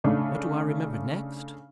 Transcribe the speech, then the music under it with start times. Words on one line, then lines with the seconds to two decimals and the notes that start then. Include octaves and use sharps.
What do I remember next?
0.04 C#3 A3 D4 D#4